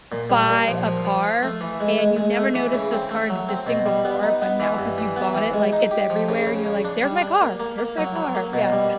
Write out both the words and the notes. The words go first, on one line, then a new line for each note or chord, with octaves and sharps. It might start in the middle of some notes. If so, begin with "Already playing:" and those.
buy a car and you never noticed this car existing before, but now since you bought it, like, it's everywhere and you're, like, "There's my car. There's my car," yeah.
A#2
G3
A#2
F3
F3
F3
F4
A3
E3
G#3
G#3
G#3
A3
E3
C#3
C4
A3
F#3
C4
B2
G3
B3
D#4
B3
E3
G2
E3
B3
E3
G#3
D#4
G4
F3
C#3
C#3
C#3
D4
G3
D4
A#3
A#3
A#3
F#3
F#3
A#3
B2
G3